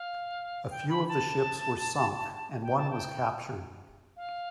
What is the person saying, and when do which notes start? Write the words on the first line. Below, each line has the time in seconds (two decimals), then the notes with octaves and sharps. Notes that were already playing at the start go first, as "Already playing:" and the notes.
A few of the ships were sunk, and one was captured.
Already playing: F5
0.71 G5
0.89 B5
1.08 A5
2.63 G5
2.78 A5
2.91 G5
4.17 F5